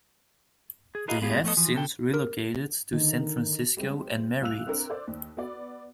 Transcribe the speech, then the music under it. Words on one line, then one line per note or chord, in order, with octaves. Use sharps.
They have since relocated to San Francisco and married.
G#4
E4 F#4 G#4 A#4 D#5 F5
G#3 B3 F4 G4 G#4
F3 A3 B3 A4 D#5
E3 F3
B2 D3 A4 G5
A#4
D3 D#3 D#4
G3 G#3 C4
C2 F5 E6 F#6 F7
C4 D4 A#4
C5 D5
D#2
B3 F#4 D5